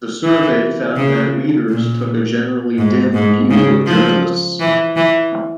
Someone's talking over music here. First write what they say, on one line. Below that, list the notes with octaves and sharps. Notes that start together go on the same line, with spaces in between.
The survey found that readers took a generally dim view of journalists.
E3
C#3
A#2
G#2
G#2
C#3
F3
E3
E3